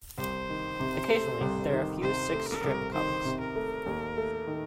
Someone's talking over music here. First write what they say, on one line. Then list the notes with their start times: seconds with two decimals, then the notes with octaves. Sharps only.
Occasionally, there are a few six-strip comics.
0.18 C2 C5
0.49 D#3
0.80 C3
1.10 A3
1.41 C2
1.72 D#3
2.02 C3 C5
2.33 A3
2.48 A#4
2.64 C2
2.94 D#3 C5
3.25 C3
3.40 A#4
3.55 A3
3.86 D#2
4.17 A3
4.47 D#3